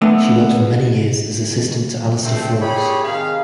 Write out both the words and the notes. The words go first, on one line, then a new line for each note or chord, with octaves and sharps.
She worked for many years as assistant to Alastair Forbes.
A3 B3 D4
G2 A3 C4
A#2 G4 G#4 C#5 D5 B5
C3 D#3 G#4 F5